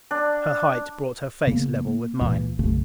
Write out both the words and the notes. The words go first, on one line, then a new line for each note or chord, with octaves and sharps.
Her height brought her face level with mine.
D4
C#3 A#3 B3
A#3
C#2 A#2 E3
B1 F#2 C#3 A3